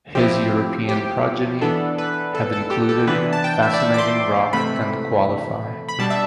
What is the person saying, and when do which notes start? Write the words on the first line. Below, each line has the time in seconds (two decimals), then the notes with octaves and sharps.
His European progeny have included Fascinating Rock and Qualify.
0.15 F3 C4 E4 G4
0.89 G4
1.61 E3 B3 D4 A4
1.98 B4
2.35 A4
2.53 A4
2.71 G4
2.89 A4
3.00 A4
3.07 C3 E3 B3 D4 B4
3.33 A5
3.44 G5
3.62 E5
3.74 D5
3.80 E5
3.94 D6
3.98 C6
4.53 C3 E3 A3 B5
5.89 B5
5.99 B2 G3 D4 A5
6.10 E5